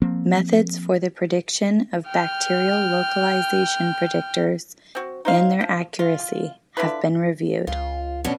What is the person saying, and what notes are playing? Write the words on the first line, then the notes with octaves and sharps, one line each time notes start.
Methods for the prediction of bacterial localization predictors, and their accuracy, have been reviewed.
F3 A#3 C4
G5 F6
C4 F#4
D#4 C5 F5
F3
F4
D3 E4 F4 B4
C#2 F4
B2 C#4 D4